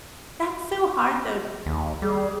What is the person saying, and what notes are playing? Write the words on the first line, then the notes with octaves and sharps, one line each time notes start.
that's so hard, though,
D#2
G3 G#4